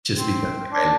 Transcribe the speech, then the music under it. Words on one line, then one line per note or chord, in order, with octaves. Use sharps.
just because, like, I
C4
D4